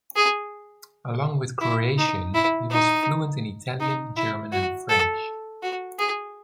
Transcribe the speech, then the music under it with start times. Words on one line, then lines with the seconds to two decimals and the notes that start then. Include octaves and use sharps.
Along with Croatian, he was fluent in Italian, German and French.
0.16 G#4
1.61 E4
1.98 D#4
2.34 E4
2.71 D#4
3.80 D#4
4.17 E4
4.53 F#4
4.89 A4
5.62 F#4
5.99 G#4